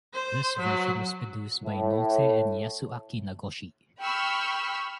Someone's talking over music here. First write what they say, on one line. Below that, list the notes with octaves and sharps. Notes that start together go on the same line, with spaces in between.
This version was produced by both Nolte and Yasuaki Nagoshi.
C5
F#3
A2
G5 B5 C#6 E6 F6